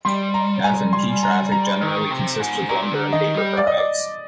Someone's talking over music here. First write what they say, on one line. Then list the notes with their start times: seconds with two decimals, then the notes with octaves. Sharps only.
F and P traffic generally consists of lumber and paper products.
0.05 G3 C6
0.34 A#5
0.64 G#5
0.93 C6
1.23 A#5
1.52 A#5
1.81 D#3
2.11 C3
2.40 G#2
2.69 A#2 A#5
2.92 D3
3.13 D#3 D#5
3.35 G3
3.57 D5
3.67 D#5
3.78 D5